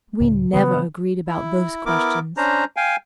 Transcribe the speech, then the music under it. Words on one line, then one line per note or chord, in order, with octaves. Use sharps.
We never agreed about those questions.
C#2 A2 C#3
C#3 E3 F#3 B3
E4
B3 E4 A#4 D6
C#4 D4 C5 A#5
F5 G5 G#5